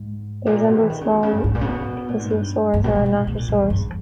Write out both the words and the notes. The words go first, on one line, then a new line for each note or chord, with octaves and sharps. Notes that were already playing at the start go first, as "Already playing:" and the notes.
They resemble small plesiosaurs or nothosaurs.
Already playing: G#2
A#2
E3
D#3
C#3
B2
C#3
G2
G#2
A#2
C#3
B2
A#2
G#2
G2
G2
B2
B2
A#2
G#2
B2
A#2
G2
E2
G2